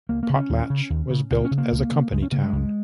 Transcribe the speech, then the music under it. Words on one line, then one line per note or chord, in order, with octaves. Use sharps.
Potlatch was built as a company town.
C#2 A#3
A#3
C#3
C#4
D#2
C#3
D#2
C#3
C#2 A#3
C#4
C#3
A#3
C#2
C#3
C#2 G#3
C#4
C#3 A#3
G#3
C#2